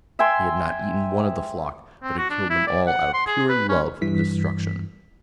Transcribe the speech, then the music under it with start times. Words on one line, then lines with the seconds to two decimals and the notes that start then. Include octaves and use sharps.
He had not eaten one of the flock, but had killed them all out of pure love of destruction.
0.19 E5 G5 G#5 C6
2.03 C4
2.18 F#4
2.30 D4
2.50 E4
2.67 D5
2.87 F#5
3.14 C6
3.27 G#4
3.49 B4
3.69 C#4
4.01 G2 E3 B6